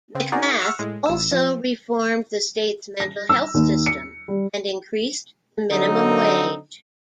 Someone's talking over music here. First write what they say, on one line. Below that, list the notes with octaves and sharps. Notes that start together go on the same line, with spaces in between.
McMath also reformed the state's mental health system and increased the minimum wage.
C#3 C4
D#4 F#4 G#4 A#4 D5
F#5 C#6 E6 F6
A2 G#3
A1 E6
F3
A#6
E6
D#2
C#7
G3
D3 F#3 C4 D#4